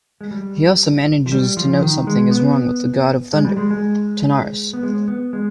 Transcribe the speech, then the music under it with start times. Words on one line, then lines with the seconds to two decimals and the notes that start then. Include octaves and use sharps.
He also manages to note something is wrong with the God of Thunder, Tanarus.
0.21 G#3
0.31 G3
1.26 F3
1.32 G3
1.57 F3
1.81 D#3
2.07 G#3
2.31 B3
3.33 G#3
3.45 G3
3.57 G#3
3.71 G#3
4.73 B3
4.83 G#3
5.08 B3
5.33 G#3